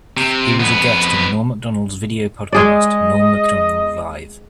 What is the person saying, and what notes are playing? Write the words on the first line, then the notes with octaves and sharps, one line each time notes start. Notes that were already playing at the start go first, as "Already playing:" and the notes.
He was a guest on Norm Macdonald's video podcast, "Norm Macdonald Live".
C3
F2 B3
G#3 G#4 D5 D#5